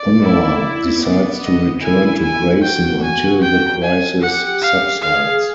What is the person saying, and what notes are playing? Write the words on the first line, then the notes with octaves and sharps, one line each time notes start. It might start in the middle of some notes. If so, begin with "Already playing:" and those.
Honor decides to return to Grayson until the crisis subsides.
Already playing: D5
E4
B3 D5
D#5
E4 G#5
G#5
F#4 G5
G#5
G5
G#5
G4 F#5
F5
G#4 F5